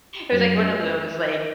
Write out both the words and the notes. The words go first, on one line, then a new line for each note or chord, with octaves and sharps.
It was, like, one of those, like
F#2